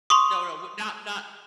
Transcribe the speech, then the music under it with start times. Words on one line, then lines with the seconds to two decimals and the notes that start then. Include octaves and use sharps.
No, no, w not not
0.10 C6 C#6 D#6